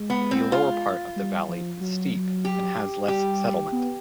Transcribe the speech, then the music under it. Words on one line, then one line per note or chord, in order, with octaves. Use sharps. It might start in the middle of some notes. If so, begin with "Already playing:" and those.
The lower part of the valley is steep and has less settlement.
Already playing: G#3
B3
C4
F4
G3
F3
F#3
G4
G3 G4
B3